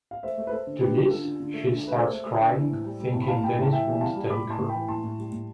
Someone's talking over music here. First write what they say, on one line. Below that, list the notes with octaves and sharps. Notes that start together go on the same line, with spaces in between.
To this, she starts crying, thinking Dennis won't take her.
F5
A3 C5 E5
A3
B4
A3 A4 C5
D3
D3 G4 B4
D3
D3 F4 A4
D3
D3
A3
D3
A3 B4
A3 A4 C5
A3
A3
D3
E3
A2
G3
G3
A2 A5
B5
A2 F5 A5
A2 G5 B5
A2 A5
E3 E5 G5
E3
G3 F5 A5
G3
A2 B5 D6
A2 A5 C6
A2
G5 B5
E3
A2 A5 C6
A2
G3
A2